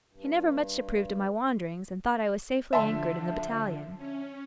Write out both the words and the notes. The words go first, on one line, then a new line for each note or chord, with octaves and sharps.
He never much approved of my wanderings, and thought I was safely anchored in the battalion.
G2
D3 F3 E5 A5 C6
C#4